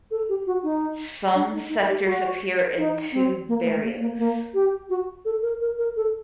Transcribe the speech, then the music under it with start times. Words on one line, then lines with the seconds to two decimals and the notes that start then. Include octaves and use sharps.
Some sectors appear in two barrios.
0.11 A4
0.29 G4
0.47 F#4
0.63 D#4
1.35 D4
1.53 D#4
1.70 D#4
1.88 G4
2.05 F#4
2.77 D#4
3.12 C4
3.48 A#3
3.65 A3
3.83 A#3
4.00 A#3
4.18 A#3
4.54 G4
4.89 F#4
5.25 A4
5.42 A#4
5.61 A#4
5.78 A#4
5.96 A4